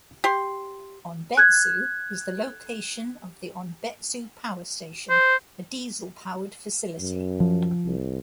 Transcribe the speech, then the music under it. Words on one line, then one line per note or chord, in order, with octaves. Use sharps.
Onbetsu is the location of the Onbetsu Power Station, a diesel-powered facility.
G4 C6
F#6 G#6
C5
F#2
F3
C2